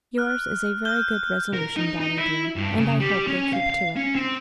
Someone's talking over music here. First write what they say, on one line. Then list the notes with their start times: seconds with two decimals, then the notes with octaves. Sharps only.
"Yours is a very good resolution, Dolly dear, and I hope you'll keep to it."
0.18 F6 F#6
0.85 F6 G6 G7
1.54 A#4
1.77 D#4
2.00 D#4
2.17 E4
2.56 G2
2.78 C#3
3.00 G3
3.28 C#4
3.53 F5
3.70 F5
3.96 C#4
4.15 C4